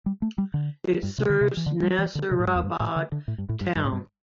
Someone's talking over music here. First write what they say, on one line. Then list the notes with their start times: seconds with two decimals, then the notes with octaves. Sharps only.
It serves Nasirabad town.
0.06 G3
0.22 A3
0.38 G3
0.54 D3
1.03 G2
1.18 C3
1.30 D3
1.41 C3
1.57 E3
1.66 D3
1.83 G3
1.99 E3
2.15 D3
2.31 C3
2.40 A2
2.47 G2
2.55 E2
2.63 G2
2.80 A2
2.96 D3
3.12 D3
3.28 A2
3.38 G2
3.49 A2
3.61 G2
3.76 G2
3.85 A2
3.92 G2